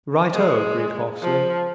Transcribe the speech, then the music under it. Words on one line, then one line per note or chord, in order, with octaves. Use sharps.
"Right-o!" agreed Hawksley.
G#3
F3